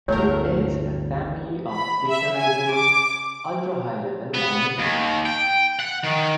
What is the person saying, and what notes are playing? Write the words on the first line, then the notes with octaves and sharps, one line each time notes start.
It is a family of declarative "ultra high-level" languages.
G1 D2 A2 F#3 A3 A#4 C#5
B5
E5
G#5
D6
B3
D#2
G5
F#5
D#3